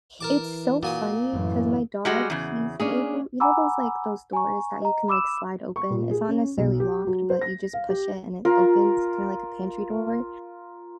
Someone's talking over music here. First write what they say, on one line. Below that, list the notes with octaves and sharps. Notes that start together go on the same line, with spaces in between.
h it's so funny 'cause my dog, he's able you know those, like those doors that you can, like, slide open? It's not necessarily locked, but you just push it and it opens kinda like a pantry door,
E3 A#4 A5 D6
A#2 F#4 G#5 D#6
F#2 A2 E3
G3 G#3 F#4
E2 C#3
A#3 C#4 D4 G#4
F#5 G#5 A#5 B5 D6 E6
G#5 A#5 C#6
D#5 A#5
B5 D6 E6 E7
C#6
A#2
G#4
C#4
B1
G4
F#3
C5
A#6
F5
G4
F4 A#4 F5 A#5